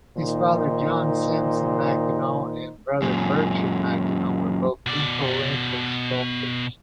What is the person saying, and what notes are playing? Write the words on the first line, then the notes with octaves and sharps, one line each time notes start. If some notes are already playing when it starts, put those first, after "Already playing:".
His father John Simpson Mackennal and brother Bertram Mackennal were both influential sculptors.
A#2 D#3 D#4 C5
F#2 A#2
B2 D5